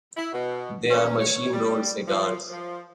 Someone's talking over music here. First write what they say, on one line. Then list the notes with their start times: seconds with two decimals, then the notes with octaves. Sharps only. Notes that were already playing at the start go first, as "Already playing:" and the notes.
They are machine-rolled cigars.
0.16 E4
0.33 B2
0.90 C#4
1.20 C#5
1.53 G3
2.07 F3
2.50 F3